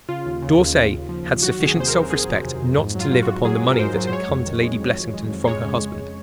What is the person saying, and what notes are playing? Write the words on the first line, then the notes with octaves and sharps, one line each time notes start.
D'Orsay had sufficient self-respect not to live upon the money that had come to Lady Blessington from her husband.
C#3 F4
D#2
C#3
D#2
D#2
D#2
F3
D#2
F#3 F#4
D#3
G#4
C3 C5
A#4
F#3
F#3 G#4
F2
C3
F2
G#2
F#3
F4
F#3 F4
F#4
G#2
F#3 G#4
G#2
A#4
G#2 C5
F#3
C5
G#3 C#5
F2
D#3
G#3
F2
F2
G#3
F2
G#3 C#5
C#3
G#3